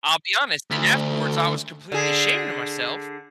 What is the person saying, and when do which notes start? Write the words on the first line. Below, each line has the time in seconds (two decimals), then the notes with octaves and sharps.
I'll be honest, and afterwards, I was completely ashamed of myself
0.71 D2
1.92 D3 G#4